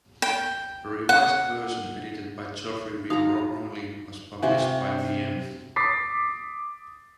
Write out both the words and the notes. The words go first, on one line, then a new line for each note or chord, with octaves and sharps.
A revised version, edited by Geoffrey W. Bromiley, was published by Wm.
G5
F#5
D#4 F#4 F5 A#5 D#6
C3 F#4 C5 E5 F5 G#5
D6 D#6 A6 B6 C7